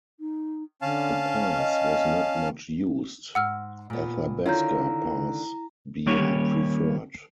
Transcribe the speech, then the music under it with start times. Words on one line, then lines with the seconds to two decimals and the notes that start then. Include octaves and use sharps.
The pass was not much used, Athabasca Pass being preferred.
0.20 D#4
0.82 D3 C#4 F5 A5
1.56 D#5
3.35 G#2 F#5 E6 F6
3.90 A#2 B3
4.46 D3 D#3 E4 F4 C#5 A#5 G6
6.07 D#2 G3 A#3 C#4 G4 C#5